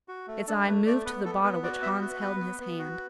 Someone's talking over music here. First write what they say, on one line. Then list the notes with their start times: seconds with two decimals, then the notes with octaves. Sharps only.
Its eye moved to the bottle which Hans held in his hand.
0.08 F#4
0.28 A3
0.47 D4 A4
0.67 A3 B4
0.85 A3 D5
1.05 B3 B4
1.25 B3 A4
1.44 B3 B4
1.63 F#4 D5
1.82 B3 E5
2.01 F#4
2.21 B3 B4
2.40 B3
2.60 B3
2.79 F#4